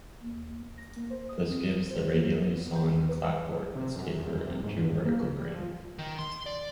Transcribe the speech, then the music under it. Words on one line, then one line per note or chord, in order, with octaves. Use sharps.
This gives the radially sawn clapboard its taper and true vertical grain.
D#2
A#6
A#3
C5
D#6
C4
C5
A#3
B4
B3
G6
B4
C3
F#2
E2
F#2
C3
G#2
G2
A#3
C#2
G3
F3
D#3
C6
D5